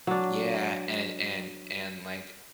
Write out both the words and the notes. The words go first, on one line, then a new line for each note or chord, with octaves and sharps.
Yeah, and and and, like,
F#3 D4